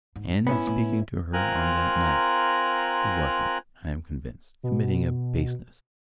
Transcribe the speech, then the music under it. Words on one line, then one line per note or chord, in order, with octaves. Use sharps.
And, in speaking to her on that night, he wasn't, I am convinced, committing a baseness.
G#2
B3 C#4 E4
A2
C4 F4 A#4 G#5 A#5 F#6
B2